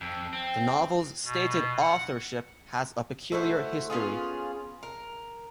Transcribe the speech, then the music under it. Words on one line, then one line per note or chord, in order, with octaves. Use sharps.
The novel's stated authorship has a peculiar history.
F2
C4
B2
F#5
A3 E4 F#4 C5
B3 C#4 F4 G#4
A#4